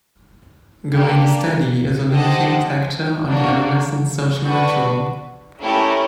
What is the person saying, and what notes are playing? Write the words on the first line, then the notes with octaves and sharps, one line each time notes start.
Going steady is a limiting factor on the adolescent social ritual.
A#3 D4 G4
G4 C5 D#5 F#5 A5
A#3 D4 F#4
D4 F#4 B4
A3 C#4 E4 G4 A#4